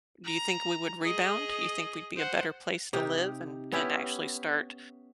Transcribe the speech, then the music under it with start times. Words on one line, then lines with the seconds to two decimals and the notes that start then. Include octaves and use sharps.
do you think we would rebound? Do you think we'd be a better place to live and and actually start
0.24 A#5
1.02 G#4 D#5
2.16 C5 F#5
2.93 C3 D#4 G4
3.72 B3 C#4 E4 G4